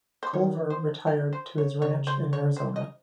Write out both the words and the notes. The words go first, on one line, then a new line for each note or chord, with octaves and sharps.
Collver retired to his ranch in Arizona.
C5
D#3 C#5
C5
A#4
C5
C#5
C#3 C#5
C5
C#5
C5
D#5